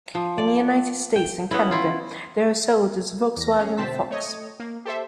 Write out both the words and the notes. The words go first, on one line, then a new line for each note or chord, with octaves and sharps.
In the United States and Canada, they were sold as the Volkswagen Fox.
F3
D5
G5
B3 C#4 E4
E4 F4
E2 A#6
C#4 G#4
B2 D3 C4 C5 A5 B6
A3 C#5 D#5
A#3
G4 A4 C5 E5